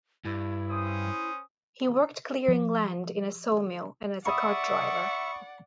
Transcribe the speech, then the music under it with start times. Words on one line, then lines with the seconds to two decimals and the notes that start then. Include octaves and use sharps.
He worked clearing land, in a sawmill, and as a cart driver.
0.25 G2 E4
0.70 C#4 C5 D#6
2.48 F3
4.26 D5 E5 F#5 B5 C#6 D#6